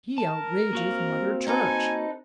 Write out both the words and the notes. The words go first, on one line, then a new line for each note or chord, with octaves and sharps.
"He outrages Mother Church."
A#4 A5
A#3 C4 F#4 F5
D#4 A4 B4 G#5